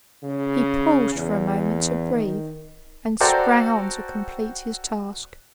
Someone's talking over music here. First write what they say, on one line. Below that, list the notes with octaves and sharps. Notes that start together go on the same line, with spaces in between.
He paused for a moment to breathe, and sprang on to complete his task.
C#3
E2
D#3
F#4 A4 C5 D5 G5 A#5